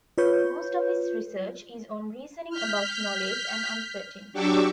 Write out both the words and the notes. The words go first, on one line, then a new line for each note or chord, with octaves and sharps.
Most of his research is on reasoning about knowledge and uncertainty.
F4 B4 C#5 G6
F6 G6 B6
F#3 D4 G4 C#6 D6 E6